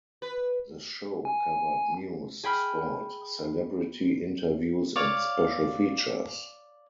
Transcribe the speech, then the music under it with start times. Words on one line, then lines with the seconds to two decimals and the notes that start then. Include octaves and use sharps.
The show covered news, sport, celebrity interviews and special features.
0.22 B4
1.25 G#5
2.43 G#4 G5 B5 F6
4.96 C#5 D5 F5